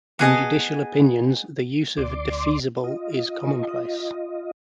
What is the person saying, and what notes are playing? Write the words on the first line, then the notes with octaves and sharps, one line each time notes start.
In judicial opinions, the use of "defeasible" is commonplace.
B3 G#4 D#5 A5
D2 D5 C6 D6
F4 D#5